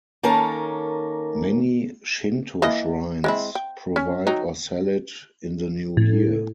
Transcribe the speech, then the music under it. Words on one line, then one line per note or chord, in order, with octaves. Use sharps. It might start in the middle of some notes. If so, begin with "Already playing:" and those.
Many Shinto shrines provide or sell it in the New Year.
D#3 A#3 C#4 A4 A#4 A5
E3 A#3 D#5
G#3 C4 E4
G5
C#4
F#3 D#4 G5
A2